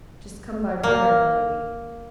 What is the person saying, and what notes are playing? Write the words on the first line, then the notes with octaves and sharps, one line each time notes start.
"Just come by runner, my lady."
A#3